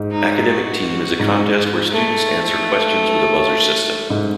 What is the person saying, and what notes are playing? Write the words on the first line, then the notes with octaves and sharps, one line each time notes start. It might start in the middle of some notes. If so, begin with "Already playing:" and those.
Academic team is a contest where students answer questions with a buzzer system.
Already playing: G#2
D#4
F#4
G#2
A3
G#2